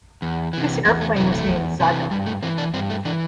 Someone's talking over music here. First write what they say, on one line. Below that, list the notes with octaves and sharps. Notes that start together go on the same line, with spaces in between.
This airplane was named "Zadar".
E2
C3 E3
E2 C4
A3
C3 E3 C4
A3
E2
C3 E3
G2 G3
A3
E3 C4
D4
G2 C4
A3
E3 D4